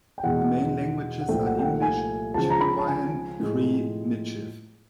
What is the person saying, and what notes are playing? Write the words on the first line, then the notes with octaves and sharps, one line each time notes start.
The main languages are English, Chipewyan, Cree, Michif.
G5
E2 B2 G#3 F#5
F#5
C2 A#2 F3 A3 G5
F#5
G5
F#5
G#5
C#2 C#3 F3 A5
A#5
B5
A5
G#5
A2 F3 G#3